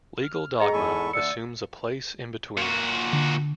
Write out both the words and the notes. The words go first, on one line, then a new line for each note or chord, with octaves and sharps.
Legal dogma assumes a place in between.
F6
G#3 G#4 D#5 G5 A#5
E2 G#2 A4 G#5 B5 C#6
D3 A3 D5 E6 C#7
A#2 F#4
D3